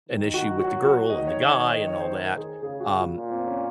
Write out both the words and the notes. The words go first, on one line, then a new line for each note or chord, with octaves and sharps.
an issue with the girl, and the guy, and all that, um,
D#3
F#4
F#3 F#4
F#4
D#3 D#5
C#5
C#5
C#5
D#5
C#5
C5
A#4
G#4
C#3 G#4
F#4
F4
A#2
C4
C#4